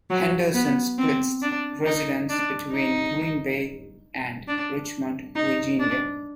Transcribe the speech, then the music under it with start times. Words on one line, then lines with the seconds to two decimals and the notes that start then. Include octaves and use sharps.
Henderson splits residence between Green Bay and Richmond, Virginia.
0.10 F#3
0.54 B3
0.99 C4
1.42 D4
1.85 D#4
2.29 D4
2.73 D#4
4.48 D4
5.36 D#4
5.80 D4